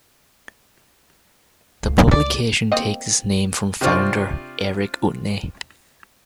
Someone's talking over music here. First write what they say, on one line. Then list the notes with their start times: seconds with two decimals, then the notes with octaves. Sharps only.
The publication takes its name from founder, Eric Utne.
1.83 C#2 A3
2.11 D5
2.72 A#3 C4 D#5
3.81 C3 C4 D4 F4 C#6